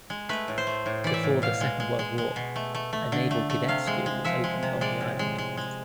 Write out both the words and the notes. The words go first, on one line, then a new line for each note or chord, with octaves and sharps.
Before the Second World War, a naval cadet school was opened on the island.
G#3
A3 B4
A2
C5
A3
A2
E3 D5
E5
A2
B2 F5
G#3
G#3
G#3
G#3
B2
A3
A3
A3
D3
A3
A3
C3 F5
G#3
G#3
F3 E5
G#3
C3
G#3 D5
A2
G#3
G#3
G#3